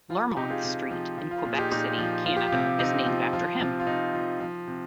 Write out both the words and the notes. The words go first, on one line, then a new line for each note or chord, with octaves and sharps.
Learmonth Street in Quebec City, Canada is named after him.
F3 F4
C3 D#4 G4
F4 G#4
C3
F3
F3
F4
A#2 F4
G#4
D#4 G4
A#2 D#4 G4
F3
F3 F4
G4
F4
C3
C3 D#4
F3
F3 F4
C3 F4
F4
C3 D#4
F3
F3
C3